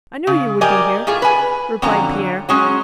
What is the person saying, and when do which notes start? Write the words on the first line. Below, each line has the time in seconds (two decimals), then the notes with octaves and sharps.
"I knew you would be here," replied Pierre.
0.27 C#3
0.61 G4 A#4 D5 D#5 G#5
1.07 A2 F4 G#4
1.22 B4 G#5
1.82 F2 D3 F#3 C#4 A#5
2.49 F#3 G#3 C#4